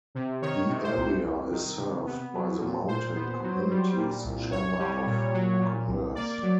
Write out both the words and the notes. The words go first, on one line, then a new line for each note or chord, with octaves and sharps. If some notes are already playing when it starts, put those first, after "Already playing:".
The area is served by the Mountain Communities Chamber of Commerce.
C3
D#3 C#5
C3
C5
C2
C2
D#3
C3
B3
F#3
A#2
A#2 C5
B3
F#3
G3
A#2
C2
C2 C#5
G3
A#2
F#3
A#2
C2
A#3 D5
F#3